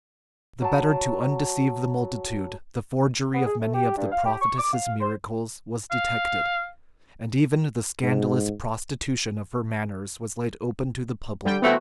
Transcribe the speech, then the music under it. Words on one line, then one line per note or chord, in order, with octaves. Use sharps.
The better to undeceive the multitude, the forgery of many of the prophetess's miracles was detected; and even the scandalous prostitution of her manners was laid open to the public.
F#3 A5
B3
G#4
A3
G4
G2
F5
G4
C#6
D6
F5
C5
F5
G#2
D3 G3 G5
B2 E3 A3 B3 C4 F#4